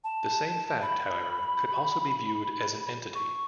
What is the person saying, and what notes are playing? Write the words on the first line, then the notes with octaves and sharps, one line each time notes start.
The same fact, however, could also be viewed as an entity.
A5
B5
C#6